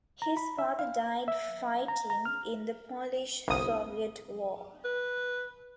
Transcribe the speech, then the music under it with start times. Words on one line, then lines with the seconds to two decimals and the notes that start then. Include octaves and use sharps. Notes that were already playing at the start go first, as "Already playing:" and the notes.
His father died fighting in the Polish-Soviet War.
0.22 A#5
0.37 B5
0.59 E5
0.79 F5
1.28 E5
1.88 A#5
2.10 A#5
2.25 F6
3.48 G1 C2 D#6
4.85 B4